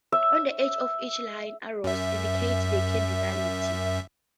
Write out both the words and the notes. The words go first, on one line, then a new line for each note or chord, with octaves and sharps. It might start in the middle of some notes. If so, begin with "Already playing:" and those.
On the edge of each line, arrows indicate the cardinality.
E5
F#2 E5